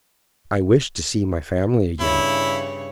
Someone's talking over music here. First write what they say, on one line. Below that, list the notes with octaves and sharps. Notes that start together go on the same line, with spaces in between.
"I wished to see my family again."
G2 C#3 E4 C#5